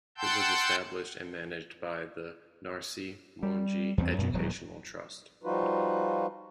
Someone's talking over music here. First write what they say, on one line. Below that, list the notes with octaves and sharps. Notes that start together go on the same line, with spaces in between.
It was established and managed by the Narsee Monjee Educational Trust.
F#5 G5 A5 C6 E6 G6
G3
E2 G2 B3 C4
F#2 B2
D#1 D#2 F#3
F3 G3 D#4 F4 F#4 B4